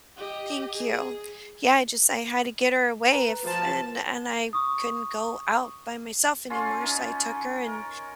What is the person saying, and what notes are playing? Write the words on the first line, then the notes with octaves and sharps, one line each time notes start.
Thank you. Yeah, I just I had to get her away if and and I couldn't go out by myself anymore, so I took her, and,
G4 D#5
G#4
B4 A#5
F3 A5
C#6 D#6
C#4 F4 A4 C6
C#4 D#4
A#4